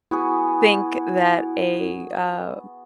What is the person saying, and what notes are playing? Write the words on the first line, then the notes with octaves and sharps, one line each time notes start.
think that a, uh,
B3 E4 F#4 G#4